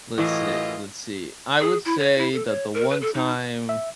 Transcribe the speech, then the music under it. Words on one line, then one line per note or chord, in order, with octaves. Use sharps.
Let's see, let's see. I would say that the one time
F#2 A2 E3 F4 D#5
G#4
E4
C#5
E4
A4
C#5
A#4
B4
A4
D#4
E5